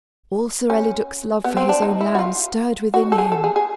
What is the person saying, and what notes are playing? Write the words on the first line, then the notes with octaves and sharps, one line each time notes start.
All Sir Eliduc's love for his own land stirred within him.
C#4
B3
C4
D4
D#4
E4
F#4
F4
F#4
A4
G#4
A4
G#4
G#4